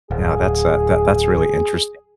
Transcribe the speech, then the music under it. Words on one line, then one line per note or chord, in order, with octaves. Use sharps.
yeah, that's uh, that that's really interesting.
D1 G#4